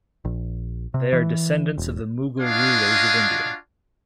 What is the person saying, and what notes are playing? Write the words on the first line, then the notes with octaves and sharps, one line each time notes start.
They are descendants of the Mughal rulers of India.
A#1
C3
E3
E1
D4 F4 F#4 D#5 F5 G#5